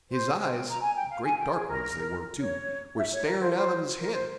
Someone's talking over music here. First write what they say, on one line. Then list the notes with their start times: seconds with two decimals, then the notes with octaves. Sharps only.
His eyes--great dark ones they were, too--were staring out of his head.
0.10 C5
0.38 C5
0.52 G5
0.68 A#5
0.81 G#5
0.95 G5
1.10 F5
1.24 G#5
1.38 G5
1.53 G#4
1.68 A#4
2.40 C#5
2.96 E5
3.12 C#5
3.25 A#4
3.40 C5
3.55 C5
3.98 A#4
4.13 C5